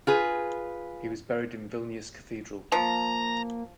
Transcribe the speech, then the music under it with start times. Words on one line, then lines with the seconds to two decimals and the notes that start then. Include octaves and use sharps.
He was buried in Vilnius Cathedral.
0.07 F4 G#4 B4
2.72 F3 A#3 A#5